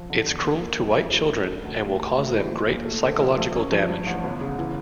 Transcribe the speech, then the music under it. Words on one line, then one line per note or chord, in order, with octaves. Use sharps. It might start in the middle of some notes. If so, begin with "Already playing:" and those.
It's cruel to white children and will cause them great psychological damage.
Already playing: F3
D3
E2
A#3
A#3
F2
E3
A3
C#4
D4
D2
A2
A2
D2
E3
A#2
A#2
A3
D3
A#1
A#1
C#4
F3
G2
A1
G1
C#3
E3